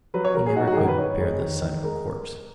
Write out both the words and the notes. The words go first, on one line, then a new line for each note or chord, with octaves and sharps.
He never could bear the sight of a corpse.
F#3 B4
C#5
F#3 A#4
G#4
D#4 F#4
F#4
G#4
D#3 A#4
B4
D#4 C#5
G#3
D#3
D#3
G#3 A#4